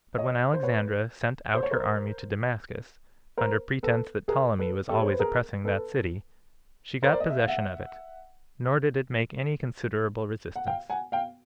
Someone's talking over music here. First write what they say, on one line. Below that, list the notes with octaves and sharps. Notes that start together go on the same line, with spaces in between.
But when Alexandra sent out her army to Damascus, under pretense that Ptolemy was always oppressing that city, she got possession of it; nor did it make any considerable resistance.
C#5 D#5
C5
B4 C#5
C5
C#5
A#4 C5
A#4 C5
A4 B4
G#4 A#4
A4 B4
G4 A4
C#5
C5
B4
G#4 A#4
A4 B4
A#4 C5
D5
D#5
E5
F5
E5 F#5
F#5
F5 G5
F#5 G#5
F5 G5